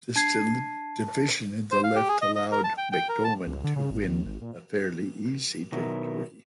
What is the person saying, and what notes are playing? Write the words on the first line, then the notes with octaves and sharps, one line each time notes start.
This division in the left allowed McDorman to win a fairly easy victory.
D4 A5 G#6 C7
C5
F5
G4
G#4
D#5
D#5
A#4
A5
G5
G5
A#4
A5
C#2
D3
C#3
G#1
D#2
G#1
A#2
B2 D#3 F#3 B3 E4 A#4